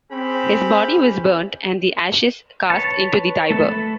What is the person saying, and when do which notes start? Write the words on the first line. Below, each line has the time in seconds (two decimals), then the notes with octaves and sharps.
His body was burnt and the ashes cast into the Tiber.
0.11 C4 C#4 G4 G#4 B5
2.70 B4 C#5 A5
3.50 A3 A4 B4 A5